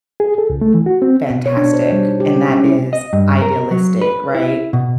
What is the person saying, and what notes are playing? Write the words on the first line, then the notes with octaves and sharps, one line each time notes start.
fantastic, and that is idealistic, right?
G#4
A4
C#2
A3
E3
F#4
C4
B2
C#5
D4
C5
G3
D#4
G4
G#3
C#4
E4
D#5
G2
A#4
F#3
B4
E4
B2